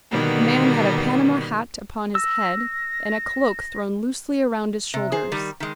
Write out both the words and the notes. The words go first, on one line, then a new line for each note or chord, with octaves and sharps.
The man had a Panama hat upon his head, and a cloak thrown loosely around his shoulders.
B2 D3 D#3 G3 A#3 B3
E6 A#6
C3
G#4 C5
D#3 G3
D#3 G#3